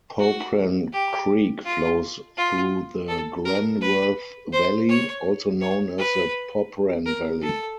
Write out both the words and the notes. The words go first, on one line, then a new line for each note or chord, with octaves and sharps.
Popran Creek flows through the Glenworth Valley, also known as the Popran Valley.
F#4
G4
F4
F4
A4
A#4
B4
C5
C#5
C#5
B4
A#4
A4